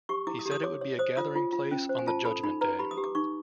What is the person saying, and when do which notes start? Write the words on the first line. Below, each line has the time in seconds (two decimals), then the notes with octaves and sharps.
He said it would be a gathering place on the Judgement Day.
0.09 G4 C#6
0.27 E4 D6
0.39 D#6
0.46 G4
0.52 D#6
0.63 C#5 D6
0.81 C#5
0.99 C5 D#6
1.17 F4 D#6
1.36 F4
1.53 F4
1.71 C#4
1.89 C5
1.99 G#5
2.07 F4 A5
2.25 A4 B5
2.43 D#4 B5
2.61 B4 A#5
2.79 G4 B5
2.91 D#6
2.97 G4
3.04 D6
3.15 D#4 C#6